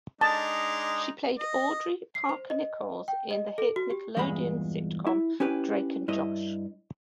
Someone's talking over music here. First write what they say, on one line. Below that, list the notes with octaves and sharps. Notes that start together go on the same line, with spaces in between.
She played Audrey Parker-Nichols in the hit Nickelodeon sitcom "Drake and Josh".
G#3 D4 D#4 A5
D#5
C7
C5
D#5
G5
D#5
A4
F#4
G4
E2 G2 A#2 G#3 B5
E4
C#4 E4 G4 B4 G#5
G2 E4 D#5